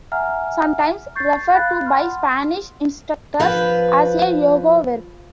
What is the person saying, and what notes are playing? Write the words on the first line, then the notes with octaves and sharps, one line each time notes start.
Sometimes referred to by Spanish instructors as a "Yo -go" verb.
E5 F#5 G#5 A#5 F6
C#6 G6 A6 C7
F5 B5 F#6 A6
F#5 C6 F6
F3 B4